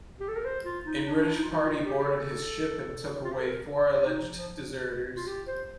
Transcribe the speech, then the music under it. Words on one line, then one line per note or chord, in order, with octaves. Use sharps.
A British party boarded his ship and took away four alleged deserters.
G4
A4
A#4
C5
F4
D#4
D4
D#4
F4
D#4
F4
G4
G4
A4
F4
G4
A4
A#4
D#4
F3
F3
F4
G4
C5